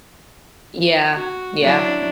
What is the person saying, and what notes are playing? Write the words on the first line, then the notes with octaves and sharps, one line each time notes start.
Yeah, yeah.
F#4
F#3 D4 E4